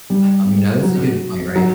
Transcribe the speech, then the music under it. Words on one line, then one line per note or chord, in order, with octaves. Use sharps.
um, you know, that's a good point, right?
G3
F#3
F#3